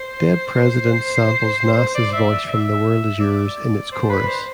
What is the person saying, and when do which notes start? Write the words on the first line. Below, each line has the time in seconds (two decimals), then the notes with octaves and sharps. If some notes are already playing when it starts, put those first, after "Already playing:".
"Dead Presidents" samples Nas' voice from "The World Is Yours" in its chorus.
Already playing: C5
1.78 C5
1.95 D5
2.13 E5
2.48 E5
3.20 D5
3.92 C5
4.09 B4
4.27 C5